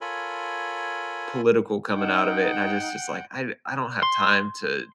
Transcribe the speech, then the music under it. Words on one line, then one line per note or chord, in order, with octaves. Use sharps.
political coming out of it, and I just it's like, I I don't have time to
F4 A4 A#4 C#5 G#5 B5
D#4 F#5 G5
C6